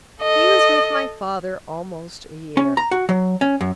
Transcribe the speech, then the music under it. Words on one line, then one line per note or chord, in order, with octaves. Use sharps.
He was with my father almost a year.
A4 D#5
C#4
A#5
F#4
F#3
C#4
F#2